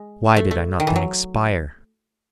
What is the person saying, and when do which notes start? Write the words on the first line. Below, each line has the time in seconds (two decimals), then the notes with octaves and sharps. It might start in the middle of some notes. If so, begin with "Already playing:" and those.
Why did I not then expire!
Already playing: G#3
0.37 A3
0.51 A3
0.80 D#3
0.87 E3
0.96 F#3